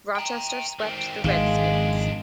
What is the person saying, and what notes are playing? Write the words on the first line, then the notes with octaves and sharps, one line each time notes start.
Rochester swept the Red Skins.
G5 A#5
D#3 C4
G#1 F2 D#3 G#3 D4 F5